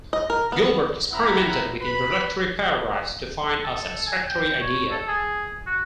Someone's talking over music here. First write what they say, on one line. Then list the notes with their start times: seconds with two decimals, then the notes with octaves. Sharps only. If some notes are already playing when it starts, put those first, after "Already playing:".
Gilbert experimented with introductory paragraphs to find a satisfactory idea.
0.13 D#5
0.30 A#4
0.52 B3
1.12 C4 E4 A#4 F#5 A#5 B5
1.81 B4 B5
3.63 A4
4.07 G#5
4.27 G5
4.61 C#5
4.91 A4
5.08 G#4
5.66 F#4